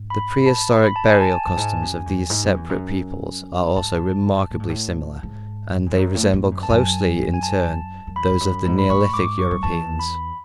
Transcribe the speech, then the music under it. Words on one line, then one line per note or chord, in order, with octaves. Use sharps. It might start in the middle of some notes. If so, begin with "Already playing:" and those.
The prehistoric burial customs of these separate peoples are also remarkably similar and they resemble closely in turn those of the Neolithic Europeans.
Already playing: G#2
B5
B5
A5
B5
A5
G#5
A5
F#2 A5
G#2 G#5
F#2
E2
G#2
F#2
E2
F#2
G#2 A5
A2
G#2
A2
G#2
E2
F#2
A2
A2
F#2
A5
F#2 G#5
G#5
A5
F#2
E2 B5
E2
F#2
G#2
B5
A2 C#6
G#2 D6
F#2 C#6
F#2
E2 A5
B5